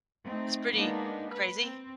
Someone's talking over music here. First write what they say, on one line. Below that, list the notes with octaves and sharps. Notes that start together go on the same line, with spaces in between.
It's pretty crazy?
A3 C4 D#4
G#3 A#3 B3 D4 D#4
B4
C4